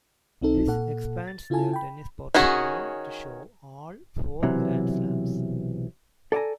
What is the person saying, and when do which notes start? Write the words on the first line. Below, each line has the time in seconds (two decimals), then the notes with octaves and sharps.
This expands their tennis portfolio to show all four Grand Slams.
0.41 B1 C4 D#4 A4
0.67 A#2 A4 F#5
1.28 A6
1.50 C#3 E4 F4 A4 G#5 A5
1.73 G5 B5
2.35 D#3 C#4 F#4 G#4
4.42 B1 C3 E3 F#3
6.32 A4 D5 F5 G#5 A#5